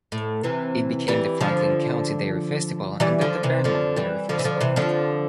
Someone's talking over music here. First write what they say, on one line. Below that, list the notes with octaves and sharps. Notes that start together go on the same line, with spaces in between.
It became the Franklin County Dairy Festival and then The Vermont Dairy Festival.
A2
C3 E3
E3 G3
D3 F3
E3 G3
D3 F3
C3 E3
D3 F3
E3 G3
D3 F3
E3
D3 F3
C3 E3
D3 F3